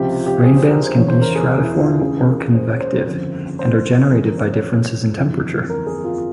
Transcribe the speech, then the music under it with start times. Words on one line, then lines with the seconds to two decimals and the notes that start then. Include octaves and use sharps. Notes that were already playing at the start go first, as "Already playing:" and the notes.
Rainbands can be stratiform or convective, and are generated by differences in temperature.
Already playing: C#2 C3 F3 G4
0.08 F4
0.26 G4
0.43 G#4
0.56 C5
0.70 A#4
0.83 C5
0.96 E1 E2 C#3 C#5
1.08 C5
1.22 A#4
1.35 G#4
1.63 E4
1.75 F4
2.01 C#2 C#3 E3 G#4
2.27 A#4
2.54 C5
2.67 C#5
2.81 C5
2.93 A#4
3.06 G1 F2 C#3 C5
3.59 C5
3.86 A#4
4.11 E2 C#3 F3 G#4
4.25 A#4
4.37 C5
4.51 C#5
5.17 G1 F2 E3
5.70 A#4
5.87 G#4
6.04 F4